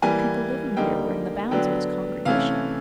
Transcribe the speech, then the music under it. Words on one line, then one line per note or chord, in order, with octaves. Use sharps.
The people living here were in the bounds of his congregation.
E3 G3 A#3 G#5
D3 G3 A#3 D#4 G5
D3 F#3 B3 D4 G5
C3 E3 A3 C#4 F5